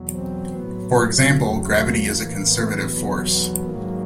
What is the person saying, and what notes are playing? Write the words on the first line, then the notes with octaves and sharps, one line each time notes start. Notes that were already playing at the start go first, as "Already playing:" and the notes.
For example, gravity is a conservative force.
Already playing: E2 B2 F#3
C4
A2 F#3 B3
D#2 C#3 F#3 A3
A#3
A2 E3
B3
E2 B2 F#3 B3
B3
G#2 D#3 F#3 A#3